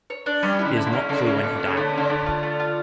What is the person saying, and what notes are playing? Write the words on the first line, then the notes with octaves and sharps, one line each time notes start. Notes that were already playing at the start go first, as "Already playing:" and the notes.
It is not clear when he died.
C#5
D4
G3 C#4
E4
D3
E4
C#3
C#4
C#3 A4
C#4
A#2 A4
C#4
C#3
D3 A3
C#3 C#4
D3 A3
F4
A3
F4